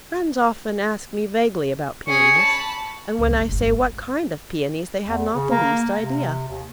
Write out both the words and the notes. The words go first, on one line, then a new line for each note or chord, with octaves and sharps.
Friends often ask me vaguely about Paeonies, and when I say, "What kind of Paeonies?" they have not the least idea.
C#4 G#4 C#6
A5 B5
C#2
G1
F#1 G#2
G#1 C#4
E2
C#3
A#3
C3
D#2